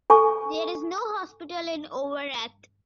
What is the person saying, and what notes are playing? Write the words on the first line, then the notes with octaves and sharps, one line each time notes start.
There is no hospital in Overath.
A4 G#5 C#6